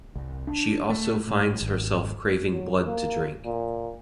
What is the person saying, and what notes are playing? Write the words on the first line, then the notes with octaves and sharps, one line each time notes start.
She also finds herself craving blood to drink.
C2
D4
A3
A2
G#1
F#3
A#3
A#2